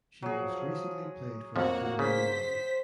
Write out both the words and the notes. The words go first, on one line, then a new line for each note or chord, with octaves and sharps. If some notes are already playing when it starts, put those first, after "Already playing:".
She most recently played for the Canadian Wild.
F3 F#3 G#4
F2 F3 A#3 F#4 C#5 F#5
C#3 C5 B6